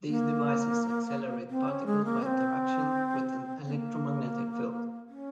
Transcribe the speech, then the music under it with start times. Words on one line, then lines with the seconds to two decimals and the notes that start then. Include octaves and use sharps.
These devices accelerate particles by interaction with an electromagnetic field.
0.08 A#3
1.50 C4
1.68 C#4
1.86 G#3
2.05 A#3
2.22 C#4
2.26 C4
3.66 C4
3.71 A#3
5.09 C#4